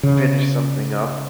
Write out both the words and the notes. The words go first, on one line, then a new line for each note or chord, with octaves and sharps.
finish something up
C#3